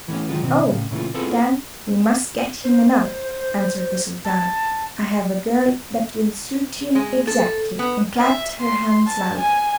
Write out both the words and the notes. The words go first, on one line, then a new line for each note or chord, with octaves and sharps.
'Oh, then we must get him another,' answered the Sultana; 'I have a girl that will suit him exactly,' and clapped her hands loudly.
E3 A3 B3 C#4
D#3 F#3 G#3 F4
B2 D#3 C4
A2 C#3
A#2 C#3 E3 A3 F4
B3 C4 E4 F4 G#4 A4
C5
A5
G#3
A4
B3
E5
C6
A5
G#5